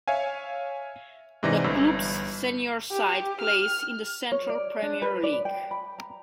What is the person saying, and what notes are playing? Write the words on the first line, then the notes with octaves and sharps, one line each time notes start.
The club's senior side plays in the Central Premier League.
C#5 E5 F5 G#5
G#2 C3 E3 D#4 D5 A#6
G1 G2 E4 E6
G4
F6
C#5
D5
D4
B4
D5
G5
B5
A#5